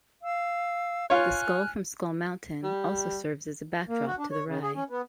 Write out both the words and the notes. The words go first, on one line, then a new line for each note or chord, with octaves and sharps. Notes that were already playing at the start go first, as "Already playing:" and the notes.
The skull from Skull Mountain also serves as a backdrop to the ride.
F5 E6
F4 C#5 G#5 F6 F#6
G3
A#3
F#4
D4
C#5
C#3
G#4
C#4
B3